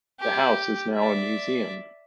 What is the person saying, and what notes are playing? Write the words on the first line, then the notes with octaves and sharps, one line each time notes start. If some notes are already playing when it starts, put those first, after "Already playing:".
The house is now a museum.
G4
D5 E5